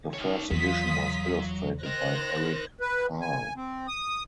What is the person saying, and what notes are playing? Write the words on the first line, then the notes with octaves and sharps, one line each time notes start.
The first edition was illustrated by Eric Carle.
D#4 C#5
E2 F#3 F4 D#6 B6
A#4 C5 D#5 F#6 A#6
B4
G#5
C4
D#6